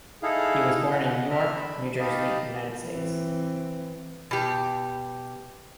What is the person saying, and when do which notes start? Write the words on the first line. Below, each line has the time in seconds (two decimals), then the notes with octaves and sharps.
He was born in Newark, New Jersey, United States.
0.23 D#4 E4 G#4 A4 F5
0.91 D#5 F#5
1.30 D4 E5 A#5 F6
1.55 B5
1.99 D#4 G4 D#5 F5 A5 B5
2.85 E3 C4
4.31 B2 G4